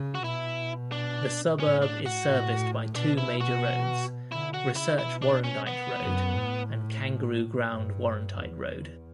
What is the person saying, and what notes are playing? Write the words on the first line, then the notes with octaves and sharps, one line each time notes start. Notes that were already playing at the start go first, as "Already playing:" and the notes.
The suburb is serviced by two major roads; Research-Warrandyte Road and Kangaroo Ground-Warrandyte Road.
Already playing: C#3
F#4
B2 E4
D4
A2 C#4
D4
F#4
A2
B2 D4
E4
F#4
D3 E4
F#4
C#3
E4
B2 E4
D4
C#4
B3
F#2
A2
G2
E2